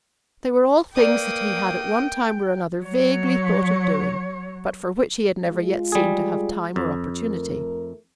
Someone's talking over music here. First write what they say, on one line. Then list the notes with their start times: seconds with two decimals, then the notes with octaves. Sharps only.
They were all things that he had at one time or another vaguely thought of doing, but for which he had never yet seemed to have time or opportunity.
0.96 A#3 B4 D5 G5 D#6
2.83 F#3 C#5
5.40 G#3 F4
5.92 G3 G#4
6.76 F2
7.23 A3 A#4